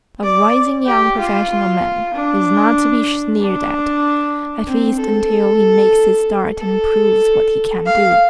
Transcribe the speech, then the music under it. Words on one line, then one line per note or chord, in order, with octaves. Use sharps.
A rising young professional man is not to be sneered at, at least until he makes his start and proves what he can do.
D5
G4
F4
F4
D4
D4
C4
A4
A4
F5